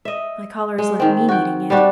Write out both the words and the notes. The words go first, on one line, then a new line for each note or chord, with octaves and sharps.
My caller has left me needing it.
D#5 E5
G#3
D#3 C4
F#4 G5
G3 C4 D4 F#4